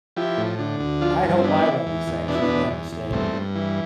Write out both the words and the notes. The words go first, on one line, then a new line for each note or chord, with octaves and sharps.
I hope I won't be sanctioned for that mistake.
F3 E4 G4
A2
D3
D2
F3 D4 F4
G2
C4
E3 B3 D4
E3
E2
E2
B2 D4
E4
B3 D4
E2
E2
E2
G2 A3 C4
G2
E3